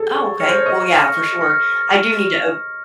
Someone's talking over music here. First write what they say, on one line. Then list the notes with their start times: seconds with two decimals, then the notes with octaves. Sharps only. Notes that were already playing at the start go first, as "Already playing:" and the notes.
Oh, okay, well, yeah, for sure, I do need to o
Already playing: G#4 A4
0.16 C#6
0.40 C#5 F6 A#6 C#7
0.48 C5
0.56 C#5
0.66 D#5 C#6
0.91 F6 A#6 C#7
1.16 C#6
1.41 F6 A#6 C#7